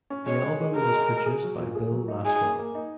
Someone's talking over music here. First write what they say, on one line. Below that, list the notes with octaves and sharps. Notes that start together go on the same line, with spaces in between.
The album was produced by Bill Laswell.
C#4
G#3 C#5
G#3
G#3
G#4 A#4
G#3
G#3
G#4
F#3
A#2
G#4
F#3
D#4
D#4 G#4
A#3
A#3
D#4